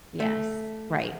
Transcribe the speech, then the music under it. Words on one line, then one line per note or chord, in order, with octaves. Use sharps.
Yes. Right.
A3